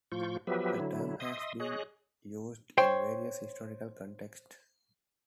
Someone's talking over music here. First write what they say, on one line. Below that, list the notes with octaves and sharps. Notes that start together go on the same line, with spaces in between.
The term has been used in various historical contexts.
A2 F3 F4 C#6 G6
F3 F#3 B3 G4 B4 E5
D3 F#3 E4
D#5 E5 C6 D#6
G#4 C#5 D#5 F#6
C5 C#5 G5